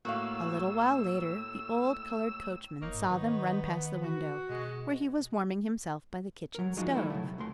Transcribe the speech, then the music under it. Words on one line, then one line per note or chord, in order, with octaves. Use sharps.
A little while later, the old coloured coachman saw them run past the window, where he was warming himself by the kitchen stove.
A2 A#3 F#4 F5 E6
F#1 A#3 D#4 C#5 D#5
G#2
D#3 B3
F#4
B2 G#3
F#3 A#4
F3 G#3 D#4 F4 F#4
F#3 G3 A3 D#4 E4 A#4
C#3 F#3 A3
C3
C#2 A3 C6